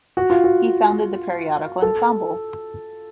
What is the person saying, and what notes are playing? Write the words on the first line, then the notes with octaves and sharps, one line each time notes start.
He founded the periodical Ensemble!
F#4
F4
F#4
A4